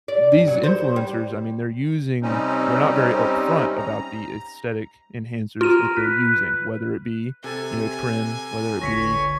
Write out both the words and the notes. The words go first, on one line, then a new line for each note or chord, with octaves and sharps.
these influencers, I mean, they're using they're not very upfront about the aesthetic enhancers that they're using, whether it be, you know, Trim, whether it be
D5
G2
F#3
C5
G3
C3 G3 C4 C#4 D#4
A#5
F4 A#4 D#7
B4
C3 A4 G#5 A6
G1 C#2 D3 C#5 A#6 B6 C#7